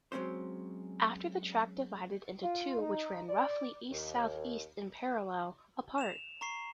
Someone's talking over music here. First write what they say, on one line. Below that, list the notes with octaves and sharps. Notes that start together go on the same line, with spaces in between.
After the track divided into two which ran roughly east-south-east in parallel, apart.
F#3 G#3 C4 C#4 C5
F4
D#4
D5
D#2
E7 F7
A#5 C#6 C7